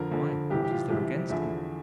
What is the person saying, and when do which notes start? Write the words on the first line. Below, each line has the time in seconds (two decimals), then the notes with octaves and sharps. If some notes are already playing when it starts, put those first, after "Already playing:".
"Why, what is there against him?"
Already playing: F2 D3 F3 A#4
0.11 F2 D3 F3
0.50 C2 C3 E3 G4
0.65 G4
0.71 F4
0.90 C2 C3 E3
1.30 E2 D3 F3 E4